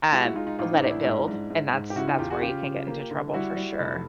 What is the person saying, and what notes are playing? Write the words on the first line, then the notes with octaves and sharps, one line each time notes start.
Um, let it build, and that's that's where you can get into trouble for sure.
G#3 F4 G4
E4 F#4
G#3 D#4 F4
D#4 F4
A1 D#4 F4
C#4 D#4
A1
D4 E4
G#2
G#2
G#2
G#2
G4
C#3 E4 F#4
D#4 F4
E2 F4 G4
F#4 G#4
C#3 F4 G4
C#3
A#3
D3
G3 E4 F#4
G3
F1